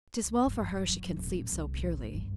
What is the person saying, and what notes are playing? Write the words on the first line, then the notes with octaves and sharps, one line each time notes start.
'Tis well for her she can sleep so purely.
C#2
G2
E2
F#3
E2
D#1
A#2
C2
A1
C4
G2